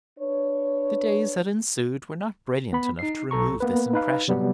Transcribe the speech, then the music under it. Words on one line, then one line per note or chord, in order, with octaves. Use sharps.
The days that ensued were not brilliant enough to remove this impression.
D4 B4 C#5
B3 B5
D#4 C7
B1 A4 A#5 C#6
A#3 B3 B4
D#4 B4 F5
C3 F#3 G3 B3